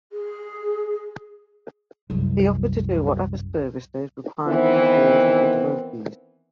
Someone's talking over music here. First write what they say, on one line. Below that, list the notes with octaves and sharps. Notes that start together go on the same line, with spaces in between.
He offered to do whatever services required for the cause of the devotees.
G#4
C2 F#2
D#3 E3 B3 C4